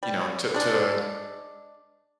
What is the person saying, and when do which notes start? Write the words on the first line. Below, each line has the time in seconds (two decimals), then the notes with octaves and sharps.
you know to to
0.03 G3
0.54 G#3 D4